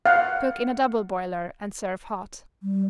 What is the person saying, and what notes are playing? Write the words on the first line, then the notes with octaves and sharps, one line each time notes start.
Cook in a double boiler and serve hot.
F5 F#5
G3